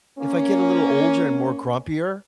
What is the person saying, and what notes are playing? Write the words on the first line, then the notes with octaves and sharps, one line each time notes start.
if I get a little older and more grumpier
A#3 C#4